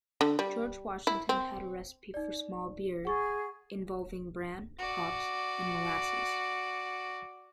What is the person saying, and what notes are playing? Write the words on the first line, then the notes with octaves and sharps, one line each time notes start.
George Washington had a recipe for small beer involving bran, hops, and molasses.
D3
G3
E4
C4
D#4 D5
G#4 F#5 C#6 A6
F#4 D5